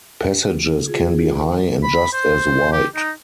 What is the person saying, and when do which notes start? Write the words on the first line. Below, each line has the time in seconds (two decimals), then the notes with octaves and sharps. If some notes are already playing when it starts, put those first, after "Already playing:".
Passages can be high and just as wide.
0.87 F4 G#4
1.83 B5
2.13 C5
2.73 G4
2.95 D#4